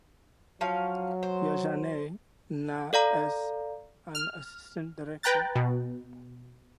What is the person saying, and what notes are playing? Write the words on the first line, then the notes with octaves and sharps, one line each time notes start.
Ya Jaane Na as an assistant director.
F3 F#3 C#4 F5
C5
A4 D5 F5 A#5
F6
B4 G5 A#5 F#6 A6
B2